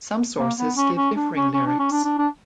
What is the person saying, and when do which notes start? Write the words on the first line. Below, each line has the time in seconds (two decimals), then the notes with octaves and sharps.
Some sources give differing lyrics.
0.39 A#3
0.58 B3
0.76 C#4
0.96 C#4
1.16 D4
1.35 C#4
1.54 C#4
1.67 D4
1.79 C#4
1.92 D4
2.05 D4
2.18 D4